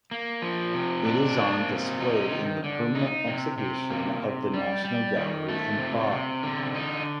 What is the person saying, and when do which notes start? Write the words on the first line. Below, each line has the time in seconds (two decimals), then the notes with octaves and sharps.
It is on display in the permanent exhibition of the National Gallery in Prague.
0.11 A#3
0.42 F3
0.74 C3
1.05 D4
1.37 A#3
1.69 C3
2.00 D#4
2.32 D#3
2.64 D3
2.95 D#4
3.27 C3
3.58 C3
3.91 A#3
4.22 C3
4.54 G3
4.85 G3
5.16 D#3
5.49 A3
5.79 C3
6.11 C3
6.43 D3
6.75 D#4